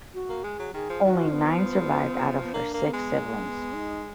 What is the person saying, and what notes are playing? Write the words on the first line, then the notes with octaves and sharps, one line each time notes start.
Only nine survived out of her six siblings.
F#4
A#3
G#3 G#4
F#3
D#3 G#4
F3
D#3 F#4
F3
B3
B3
A#3 D4 D#4
A#3
D4
B3
G#3
A#3
D4
B3
D#4